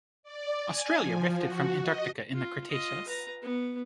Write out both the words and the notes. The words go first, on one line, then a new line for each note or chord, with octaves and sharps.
Australia rifted from Antarctica in the Cretaceous.
D5
G#5
F3
F#4
D#5
F4
F4 D#5
B4 A#5
B3